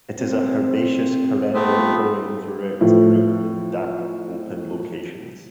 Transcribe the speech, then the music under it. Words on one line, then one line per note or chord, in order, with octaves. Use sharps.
It is a herbaceous perennial growing throughout Europe in damp, open locations.
C4
A3 B3 C4
F4
A2 F3